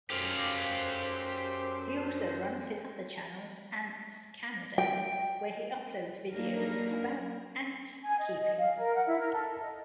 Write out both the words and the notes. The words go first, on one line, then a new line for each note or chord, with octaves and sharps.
He also runs his other channel, AntsCanada, where he uploads videos about antkeeping.
F#2 G4 A4 C5 F5
G5
F#3 A#3 D4 D#4 A#4 B4
G#5
D#5
D#5
F5
A#4
F#5
E4
A#4
A4
D#5